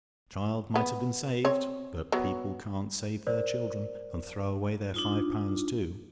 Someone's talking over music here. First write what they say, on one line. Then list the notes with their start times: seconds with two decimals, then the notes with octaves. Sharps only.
The child might have been saved; but people can't save their children and throw away their five pounds too.
0.76 B3
1.45 C4 C#5
2.12 F#3 B3
3.27 A#4 C5 D5
4.94 D4 D#4 F4